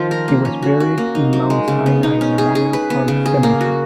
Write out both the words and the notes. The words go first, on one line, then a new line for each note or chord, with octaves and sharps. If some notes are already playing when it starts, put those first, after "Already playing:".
He was buried in Mount Sinai Memorial Park Cemetery.
Already playing: D#3 F3 D#4 F4
A#4
A#3
C#4
F#4
F#4
A#3
D#4
F#3
G#3
C#3
B3
D#4
C#4
G#4
G#4
B4
B3
C#3
G#4
A#3
F#4